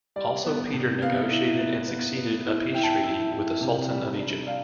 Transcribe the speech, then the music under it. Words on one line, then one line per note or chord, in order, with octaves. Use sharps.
Also Peter negotiated and succeeded a peace treaty with the Sultan of Egypt.
G3 D5
B3
C3
B3 F5
E5
F5
E4
B3
B3
B3
E4
E4 G5
A5
G5
E4
E4
C3
G3
D4
D4 F5